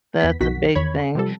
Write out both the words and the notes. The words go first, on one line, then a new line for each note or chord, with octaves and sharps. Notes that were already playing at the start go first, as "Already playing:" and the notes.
That's a big thing.
E2 B3 B6
B1 F2 D#3 F#4 B6
E2 D#3 C#5 B5 G#6
C3 F3 G3 A4